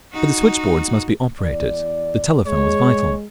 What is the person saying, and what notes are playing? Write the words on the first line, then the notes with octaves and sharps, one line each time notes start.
But the switch-boards must be operated--the telephone was vital....
D#4 F#4
E2 D5
G#3 C#5